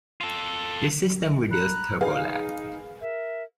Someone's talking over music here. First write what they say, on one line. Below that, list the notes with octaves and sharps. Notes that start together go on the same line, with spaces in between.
This system reduced turbo lag.
F4 A4
A#5 B5 F#6
D#4 G#4 B4 F5
A#4 E5